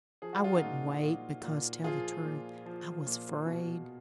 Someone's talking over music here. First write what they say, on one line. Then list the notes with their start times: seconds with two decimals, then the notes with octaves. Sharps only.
I wouldn't wait because, tell the truth, I was afraid.
0.22 F3 G#4
0.33 F#4
0.44 F4
0.55 D#4 F#4
0.62 A#2
1.03 A#2
1.44 A#2
1.84 F3 F4 G#4
2.25 A#2
2.66 F3
3.06 A#2
3.47 B2